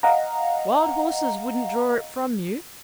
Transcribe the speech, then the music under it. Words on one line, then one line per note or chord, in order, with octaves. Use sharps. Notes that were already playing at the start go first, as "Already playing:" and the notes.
Wild horses wouldn't draw it from you?
D#5 F5 F#5 A#5